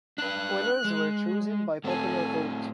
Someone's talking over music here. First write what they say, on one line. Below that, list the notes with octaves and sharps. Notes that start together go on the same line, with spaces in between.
Winners were chosen by popular vote.
D4 B4 F#6
G#3
A2 C4 A4 G#5